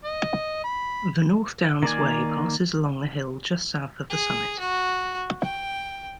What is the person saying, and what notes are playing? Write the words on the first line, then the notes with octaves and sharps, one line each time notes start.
The North Downs Way passes along the hill just south of the summit.
D#5
B5
D#3 A#3 D5 G#5
G#4
F#4
G5